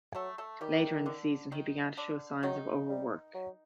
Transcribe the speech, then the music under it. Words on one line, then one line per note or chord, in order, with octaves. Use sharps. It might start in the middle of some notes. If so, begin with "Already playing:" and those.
Later in the season, he began to show signs of overwork.
F#3 A3 A4
A3 A4
D#3 G3 G4
D3 D4
D#3 D#4
D3 D4
D#3 F#3 D#4
G3
F#3